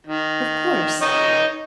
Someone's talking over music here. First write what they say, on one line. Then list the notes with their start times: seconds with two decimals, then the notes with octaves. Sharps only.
"Of course!"
0.07 D#3
1.02 D#4 C#5 D#5